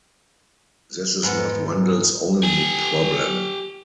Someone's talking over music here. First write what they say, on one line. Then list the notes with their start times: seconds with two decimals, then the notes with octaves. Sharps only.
This is not Wendell's only problem.
1.23 G#2 B3
2.43 G4 G#5